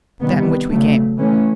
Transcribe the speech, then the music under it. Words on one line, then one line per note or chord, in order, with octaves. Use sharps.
"That in which we came."
C3 D#3 G3 B3
C#3 F#3 A3
E3 A3 C#4